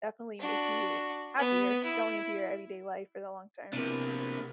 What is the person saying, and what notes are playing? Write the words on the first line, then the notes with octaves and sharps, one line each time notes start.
definitely make you happier going into your everyday life for the long term.
D4 F#4
B3
E4
C3 A#3 B3 D4 E4